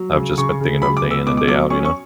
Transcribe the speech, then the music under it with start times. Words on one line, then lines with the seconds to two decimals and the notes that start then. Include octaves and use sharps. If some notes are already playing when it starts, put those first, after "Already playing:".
I've just been thinking of day in and day out, you know?
Already playing: F#3
0.15 C#3
0.38 C#3 C#6
0.60 C#3
0.82 F#3 B5
0.97 D6
1.04 B3
1.11 E6
1.27 B2 D6
1.37 D6
1.48 F#3 D6
1.70 C#4 C#6
1.85 C#6